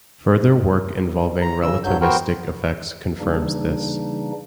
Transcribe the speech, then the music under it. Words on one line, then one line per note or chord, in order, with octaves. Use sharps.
Further work involving relativistic effects confirms this.
A#5
C#3 E6
G2 F#3 G6
B3 F#4 A#4 C5 G5
C#3 E3 G3 A#3 D4 D#4